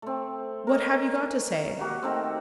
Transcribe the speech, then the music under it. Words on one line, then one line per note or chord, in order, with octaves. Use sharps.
What have you got to say?
A3 C4
A#4 C#5 D#5
A#3 F#4 G4 F#5
D#3 A3 C4